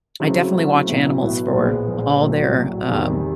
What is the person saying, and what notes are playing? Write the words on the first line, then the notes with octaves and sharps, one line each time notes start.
I definitely watch animals for all their, um,
C#3 F#3 A3 C4 E4
C#3 F#3 A3 C4 E4
B1 A2 F#3 B3 E4
B1 A2 F#3 B3 E4
A#1 A#2 F3 G#3 B3
A#1 A#2 F3 G#3 B3
A#1 A2 F#3
A#1 A2 F#3
E2 C3 D#3 G3